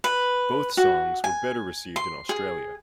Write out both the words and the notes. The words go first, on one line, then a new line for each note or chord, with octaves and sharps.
Both songs were better received in Australia.
B4
F#4
G#5
C6
G#4